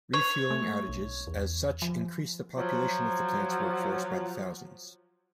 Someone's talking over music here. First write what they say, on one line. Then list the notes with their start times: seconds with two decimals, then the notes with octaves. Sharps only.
Refueling outages as such increase the population of the plant's workforce by the thousands.
0.13 C#5
0.50 A3
0.88 B1
1.27 E2
1.82 F3
2.57 F3 F#3